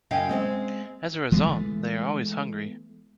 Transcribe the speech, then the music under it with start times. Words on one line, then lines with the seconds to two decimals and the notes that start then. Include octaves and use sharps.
As a result, they are always hungry.
0.11 F#2 C#3 C#4 D#5 F5 G5
0.29 G#3 C4 F5
1.32 E3 G#3 A3 B3